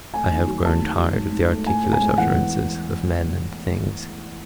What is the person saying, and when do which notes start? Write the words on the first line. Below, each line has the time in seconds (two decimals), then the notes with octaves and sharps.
I have grown tired of the articulate utterances of men and things.
0.14 A3 G#5
0.31 D#2
0.48 F#3
0.65 A3 A5
0.82 D#2
0.99 F#3
1.16 G#2
1.32 G#2
1.50 A3
1.66 A2 G#5
1.84 A2
1.93 G#5
2.00 G#3
2.18 E2 F#5